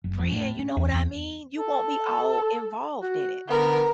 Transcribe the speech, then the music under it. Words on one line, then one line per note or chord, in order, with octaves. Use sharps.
friend, you know what I mean?" You want me all involved in it.
F#1
F2
A2
C#4
E2
E2
A4
F#4
D3 B3 A#4